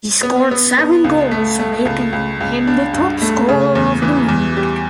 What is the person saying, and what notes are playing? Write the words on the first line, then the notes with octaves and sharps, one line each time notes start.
He scored seven goals, making him the top-scorer of the league.
B3
B3
B3
C#2
A3
A3
C#2
C#2
C#2
D4
G2
A3
C#3
E2
E3
E2
G3